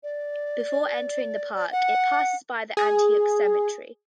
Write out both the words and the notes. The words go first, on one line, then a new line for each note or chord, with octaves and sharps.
Before entering the park, it passes by the Antioch Cemetery.
D5
D5
F#5
G#4